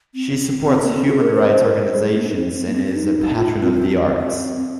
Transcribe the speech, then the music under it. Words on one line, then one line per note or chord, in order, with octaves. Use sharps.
She supports human rights organizations and is a patron of the arts.
C4
C4
C4
A#3
C4
G#4
A#4
C5
A#4
D#5
C5
G#4
A#3
D#4
C4
C4
A#3
C4
C4
D#4
F4
C4
C4
C4
C4